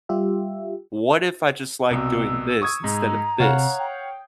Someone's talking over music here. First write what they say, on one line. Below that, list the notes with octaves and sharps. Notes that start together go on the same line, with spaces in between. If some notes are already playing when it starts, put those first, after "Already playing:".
What if I just like doing this instead of this?"
G3 F4 G4 E5
C2 B2 E6
C#6 D#6 G#6
G#2 A#5
C3 C#5 F5 F#5
G5